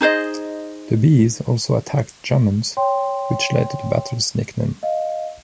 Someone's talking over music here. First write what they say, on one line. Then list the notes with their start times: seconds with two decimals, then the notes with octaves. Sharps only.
The bees also attacked Germans, which led to the battle’s nickname.
0.01 D#4 G#4 C5 D#5
2.77 C#5 G5 C6
4.83 D#5 F5